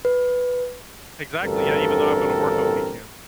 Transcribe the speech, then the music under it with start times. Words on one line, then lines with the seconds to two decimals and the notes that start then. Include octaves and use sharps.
Exactly. Yeah, even though I'm gonna work all weekend.
0.05 B4
1.44 A1 D2 G2 C4 A4 A#4